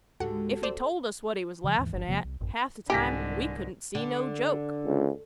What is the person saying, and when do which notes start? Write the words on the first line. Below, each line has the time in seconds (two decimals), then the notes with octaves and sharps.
If he told us what he was laughin' at, half the time we couldn't see no joke.
0.20 C#2 G#2 D3 G#3 F#4 G4 A4 F#5
0.63 C4 C5 D5 C6
1.64 C#3 F3
1.78 D#2 G#2 E3
1.93 G1 F3
2.07 E1 C3 F3 A#3
2.24 C2
2.41 A1 F#2
2.90 C2 G#2 D3 D#3 G4 G#5 A#6 B6
3.95 D3
4.86 C#2